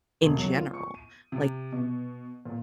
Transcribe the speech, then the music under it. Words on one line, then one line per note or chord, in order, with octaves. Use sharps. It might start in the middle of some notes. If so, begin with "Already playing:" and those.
in general. Like,
E1
F#3
F4
C#6
D#7
C3
B2
A#2